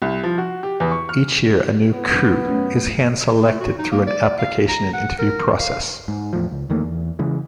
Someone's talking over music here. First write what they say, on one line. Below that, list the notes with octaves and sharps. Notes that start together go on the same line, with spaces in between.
Each year a new Krewe is hand selected through an application and interview process.
C2
F3
F#4
G4
E2
C#6
F6
B3
F#2 A3
A3
F#4
D#4
A#3
D5
F5
A#5
F#5
A#4
F5
G#2
E2 A2 F3
C#2
E2 D#3 A3 A#3
E2
C#3 E3 G#3